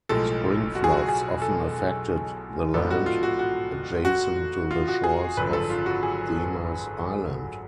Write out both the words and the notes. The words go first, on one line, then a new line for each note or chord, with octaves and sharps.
Spring floods often affected the land adjacent to the shores of Demers Island.
B1 A2 F3 G#3 A4
F#4
G#4
F#4
G#4
A4
A1 G#2 F3 B3 D4 A4
F#4
F4
F#4
F#4
F#4
F4
F#4
G#4
G#1 F#2 D3 F3 B4
A4
F4
F#4
G#4